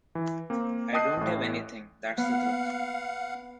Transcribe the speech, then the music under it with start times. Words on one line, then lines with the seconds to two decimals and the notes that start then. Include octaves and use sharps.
I don’t have anything, that’s the truth!
0.15 E3
0.50 A#3 C4
0.93 D#5 G5 A5 D#6 F#6 C7
1.17 A1 A2
2.17 B3 F5 F#5